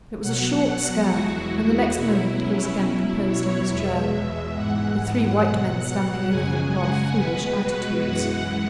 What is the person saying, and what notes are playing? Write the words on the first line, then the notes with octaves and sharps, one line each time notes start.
It was a short scare, and the next moment he was again composed in his chair, with three white men standing over him in rather foolish attitudes.
B2 F#3 F#5
E2 E3 G#3 F#4
B2 F#3 E4
C#4
B2 F#3 E4
C#5
E2 B2 G#3 E5
G#2 E3 G#3 F#5
B2 F#3
F#2 C#3 G#3 G#5
F#5
B2 G#3 B4
F#4
F#2 E3 G#3 F#5